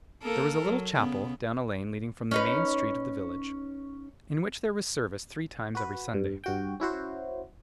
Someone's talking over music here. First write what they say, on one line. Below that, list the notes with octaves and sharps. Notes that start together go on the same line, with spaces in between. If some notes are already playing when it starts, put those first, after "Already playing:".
There was a little chapel down a lane leading from the main street of the village, in which there was service three times every Sunday.
A#3 A4 A#4
F#3
C#3 B3
C#4 D#4 B4
F#4 B4
G2
G2 F#4 G5
C#4 E4 F#4 C5